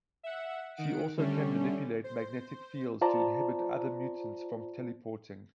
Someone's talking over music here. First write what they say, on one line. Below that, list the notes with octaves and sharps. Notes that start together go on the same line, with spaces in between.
She also can manipulate magnetic fields to inhibit other mutants from teleporting.
E5 F#5
D#3 F#5 D7
D3 G3 A3 C#4
C5
F4 C5 D5 A5 A#5